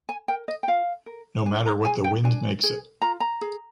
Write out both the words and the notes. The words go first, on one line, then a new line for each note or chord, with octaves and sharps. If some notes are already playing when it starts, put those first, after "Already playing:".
No matter what the wind makes it!
G#5
A#4 G5
D#5
G5
F4 F5
A#4
D4 G#5
A#5
G#4 G#5
G5
D4 G#5
G#4
F4 A#5
A#5
G#4